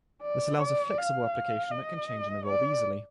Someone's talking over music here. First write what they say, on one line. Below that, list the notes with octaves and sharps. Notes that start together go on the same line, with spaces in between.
This allows a flexible application that can change and evolve easily.
D5
D5
F5
D#5
D5